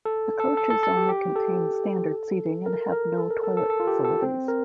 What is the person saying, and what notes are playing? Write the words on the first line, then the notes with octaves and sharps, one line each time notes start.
The coaches only contain standard seating and have no toilet facilities.
A4
A4
A4
A4
A4
G4
G4
A4
A#4
A#4
A4
A#4
A4
A4
A4
F4
G4
A4
C4
A#4